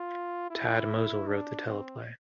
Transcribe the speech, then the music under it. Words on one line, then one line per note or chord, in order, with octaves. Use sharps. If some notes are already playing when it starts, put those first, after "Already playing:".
Tad Mosel wrote the teleplay.
Already playing: F4
E4
D4
C4